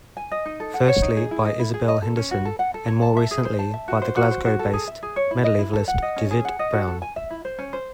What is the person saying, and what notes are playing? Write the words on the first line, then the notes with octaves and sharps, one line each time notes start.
Firstly by Isabel Henderson, and more recently by the Glasgow-based medievalist Dauvit Broun.
G#5
D#5
D#4
A4
F#5
C#5
D#4
G#4
E4
D#5
E4
G#4
D#5
A4
C#4
F#4
A4
F#5
A4
C#5
A5
E5
G#4
C5
A5
E5
F#4
C5
F#4
C5
F#4
A4
G#4
E5
G#4
C#5
E4
D#5
E4
A4
F#5
D#5
C#4
G#4
F#5
D#5
F#4
A4
G#5
E5
E4
C5
C#4
C5